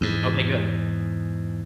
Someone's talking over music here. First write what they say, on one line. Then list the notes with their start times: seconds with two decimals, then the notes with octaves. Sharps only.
Okay, good.
0.01 E2 G#2